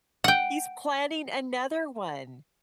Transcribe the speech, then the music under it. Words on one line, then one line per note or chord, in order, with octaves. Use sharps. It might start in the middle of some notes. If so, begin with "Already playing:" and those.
he's planning another one!
F#5 G5